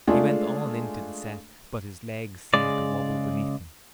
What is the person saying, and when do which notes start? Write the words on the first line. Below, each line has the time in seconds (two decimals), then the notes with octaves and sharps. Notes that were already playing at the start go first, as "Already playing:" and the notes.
He went on into the set, but his legs seemed to wabble beneath him.
0.07 G#3 A3 D4 F4 G#4
2.54 C#3 G#3 D5